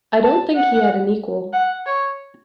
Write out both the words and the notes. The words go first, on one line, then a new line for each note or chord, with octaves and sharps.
I don't think he had an equal.
A5
F#5
F#5
C#5